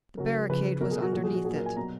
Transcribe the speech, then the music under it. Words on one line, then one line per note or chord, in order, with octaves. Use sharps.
The barricade was underneath it.
C#3 F#3 A#4
C#3 F3 B4
B2 F#3 A#4
G#4
F#4
A#2 F3 F#4
G#4
F#4
A#2 F#3 G#4
A#4
G#5
B2 F#3 A#5